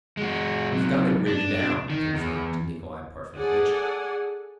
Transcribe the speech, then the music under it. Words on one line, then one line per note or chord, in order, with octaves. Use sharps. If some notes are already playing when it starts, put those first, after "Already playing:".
"We've got it written down," confirmed Nikolay Parfenovitch.
G#3 F#4
C3 F#3
D4
D#3
E2
G#4 A4 D5 F#5 G#5